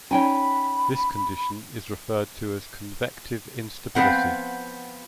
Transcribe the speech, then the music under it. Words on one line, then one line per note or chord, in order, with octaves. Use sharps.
This condition is referred to as "convective instability".
C#4 D#4 C#5 G5 G#5 B5
F3 B3 C4 F#5